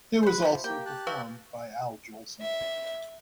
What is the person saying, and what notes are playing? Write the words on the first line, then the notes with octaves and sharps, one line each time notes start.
It was also performed by Al Jolson.
B4 C5
C3 F3
A#3 G4 G5
G4 A5 F#6
G3 B4 F5 C#6
E5